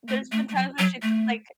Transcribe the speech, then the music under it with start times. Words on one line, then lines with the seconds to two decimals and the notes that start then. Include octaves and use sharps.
There's been times where she's like
0.08 A3
0.32 A3
0.49 A3
0.55 F#3
0.79 F#3
1.03 A3